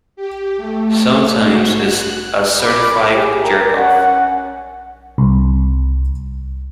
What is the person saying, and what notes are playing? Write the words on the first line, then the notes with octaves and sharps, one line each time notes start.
Sometimes it's a certified jerk-off.
G4
A3
F#4
F#6
B5 D6
G4 G#4
A#4
C#4 F#5
C2